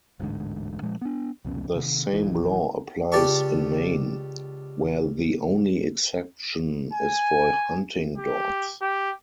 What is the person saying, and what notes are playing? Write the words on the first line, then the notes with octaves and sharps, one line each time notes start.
The same law applies in Maine, where the only exception is for hunting dogs.
D1 A1 G#2 D3
A#2 F3 G#3
B3 D4
C2 F2 B2 C#4
C3 D#3
A#1 E3
C#2 G4 D5 A5 C#6
G#5
G4
G4